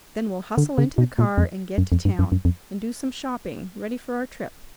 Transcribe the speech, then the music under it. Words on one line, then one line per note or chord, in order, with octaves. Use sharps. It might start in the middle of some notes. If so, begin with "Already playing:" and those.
Then we'll hustle into the car, and get to town, and do some shopping ready for our trip.
D3
C#3
B2
A#2
F2
F#2
F2
G2
F#2
F#2
F2